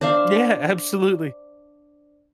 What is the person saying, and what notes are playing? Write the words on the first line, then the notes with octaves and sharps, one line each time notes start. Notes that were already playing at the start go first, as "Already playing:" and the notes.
Yeah, absolutely.
D4 C5 E5 F5